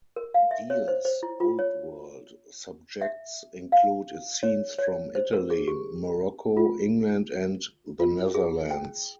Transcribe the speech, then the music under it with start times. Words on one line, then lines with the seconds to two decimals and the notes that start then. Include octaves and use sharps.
Diehl's Old World subjects include scenes from Italy, Morocco, England, and the Netherlands.
0.16 A#4
0.34 F5
0.51 E5
0.70 C#5
0.88 C5
1.05 C5
1.23 E4
1.40 F4
1.59 C#5
3.01 E5
3.72 F5
4.43 C#5
4.78 C#5
5.15 C5
5.33 A#4
5.50 G#4
5.68 G4
6.57 F4
7.99 F4
8.34 G#4
8.71 G5